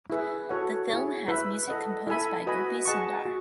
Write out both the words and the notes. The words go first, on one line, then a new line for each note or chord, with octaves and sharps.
The film has music composed by Gopi Sundar.
E4 G#4 B4 E5
F#4 A4 C#5 F#5
E4 G#4 C#5
E4 B4 E5 B5
A4 D#5 F#5
E4 A4 E5 G#5 B5
F#4 B4 D#5 G#5 B5
G#4 D#5 F#5 A5 C#6
F#4